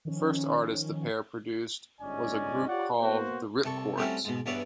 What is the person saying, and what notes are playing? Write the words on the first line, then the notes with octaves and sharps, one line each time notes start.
The first artist the pair produced was a group called the Rip Chords.
D#3 F3 C#4
G1 G#2 C#4 D5 D#5 G#5
F4 G4 C#5 D5 F#5
A#3 B3 F#4 C5
C2 A4 C#6
G3 A3 C4 C#4 E4 F#4
G#2 B2
E2 G2 B3 E4 C#5 D5